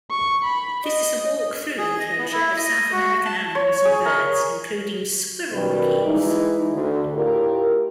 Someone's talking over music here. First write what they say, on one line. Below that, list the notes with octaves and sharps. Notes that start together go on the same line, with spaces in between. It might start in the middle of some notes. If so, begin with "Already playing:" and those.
This is a walk-through enclosure of South American animals and birds including squirrel monkeys.
C#6
B5
D#5
G#4
D#5
B3
E4
D#5
F#4
A5
C#5
G#4
A#4
F#2 B2 D#3 G3 B4
E3 G#3 D#4
D2 D3
A2 F4 G4 A#4